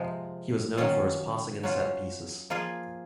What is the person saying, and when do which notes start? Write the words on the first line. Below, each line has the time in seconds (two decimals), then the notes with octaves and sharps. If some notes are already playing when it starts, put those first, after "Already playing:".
He was known for his passing and set pieces.
Already playing: C3 F3 G#3
0.77 D#3 F#3 C#4 F4
1.63 F#3 C#4 F4
2.50 F3 A#3 F4 G#4